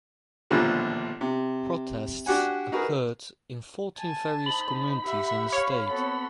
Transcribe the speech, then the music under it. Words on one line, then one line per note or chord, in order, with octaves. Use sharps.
Protests occurred in fourteen various communities in the state.
A#1 D#2 B2 D3 F3 A3
C3
D4 F#4 G4 F#5 G#5
D#4 F#4 G#4 A#4 B4
G#5 A5
D#4 C5 B5
G4 E5 F#5
C#5 F5
B3 C4 F#4 A4